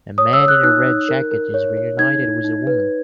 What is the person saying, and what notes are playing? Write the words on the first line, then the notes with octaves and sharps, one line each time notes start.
A man in a red jacket is reunited with a woman.
C#5 D#6
E6
C#5
F#6
D#4 F#6
D#4
A#4
A#4
C#5
C#5
D#4 G#6
D#4
D#4
B4